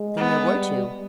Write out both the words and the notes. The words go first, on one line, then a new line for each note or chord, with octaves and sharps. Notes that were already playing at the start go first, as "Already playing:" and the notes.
"Then there were two?"
Already playing: G#3
B3
G3